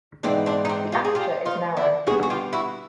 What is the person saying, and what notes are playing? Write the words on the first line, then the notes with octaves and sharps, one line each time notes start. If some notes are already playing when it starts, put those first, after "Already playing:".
The aperture is narrow.
G#2 E3 G#3 B3 C4 D4
C4 D4
D#4
C4 D4
F4 G4
G#4
F4 G4
D#4 F4
D4 E4
D3 G3 B3 F#4 G#4
F#4
F4 G4
E4 F#4